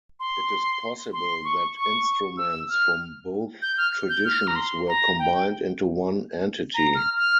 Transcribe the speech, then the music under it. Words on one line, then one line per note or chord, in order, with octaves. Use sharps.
It is possible that instruments from both traditions were combined into one entity.
C6
C6
C#6
C#6
E6
F6
G6
F6
G6
F6
A#5
C6
A#5
G5
A#5
F6
F6